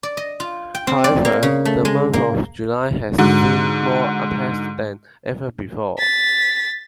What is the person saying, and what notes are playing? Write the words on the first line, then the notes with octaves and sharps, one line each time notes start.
However, the month of July has seen more attacks than ever before.
D5
D#5
F4
G5
C4
D5
A#3
C#3
A3
G#3
A#3
G#2 D3 F#4
A6 B6